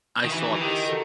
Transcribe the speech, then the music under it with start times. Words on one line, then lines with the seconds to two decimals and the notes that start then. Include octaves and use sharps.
I saw this.
0.24 D#3
0.31 E3 D#4 F#4
0.55 E3
0.60 D#3 E4 G4
0.87 F#4 A4